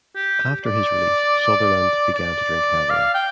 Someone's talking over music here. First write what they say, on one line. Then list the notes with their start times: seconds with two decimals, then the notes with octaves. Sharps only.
After his release Sutherland began to drink heavily.
0.16 G4
0.65 D5
2.15 D5
2.90 F5
3.15 G5